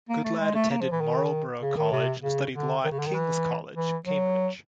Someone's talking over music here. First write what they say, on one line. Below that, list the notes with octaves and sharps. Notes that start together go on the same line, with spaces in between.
Goodlad attended Marlborough College and studied law at King's College, Cambridge.
A#3
A3
G#3
A3
A#3
F3
E3
D#3
C#3
D#3
C3
C#3
D3
D#3
C#3
D3
D#3
E3
E3
F#3